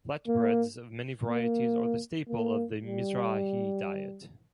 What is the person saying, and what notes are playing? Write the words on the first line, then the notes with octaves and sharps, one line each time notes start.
Flatbreads of many varieties are the staple of the Mizrahi diet.
A#3
A#3
A#3
G3